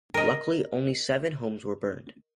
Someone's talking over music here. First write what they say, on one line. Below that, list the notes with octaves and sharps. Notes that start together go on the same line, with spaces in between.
Luckily, only seven homes were burned.
A#4 D#5